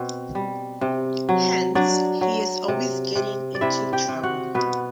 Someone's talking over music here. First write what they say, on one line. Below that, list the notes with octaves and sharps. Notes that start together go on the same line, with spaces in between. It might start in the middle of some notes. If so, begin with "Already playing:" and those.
Hence, he is always getting into trouble.
Already playing: B2 C4
G3
C3
F#3
F#3 D4 D5
F#3
C3
C3
D5
C3 E4 E5
G4 G5
C3
F#4 F#5
B2 B3 B4